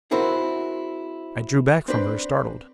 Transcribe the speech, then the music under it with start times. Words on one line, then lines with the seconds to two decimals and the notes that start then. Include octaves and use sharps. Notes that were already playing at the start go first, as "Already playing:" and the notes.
I drew back from her, startled.
0.11 C4 E4 F#4 G#4 A#4
1.88 C4 D4 B4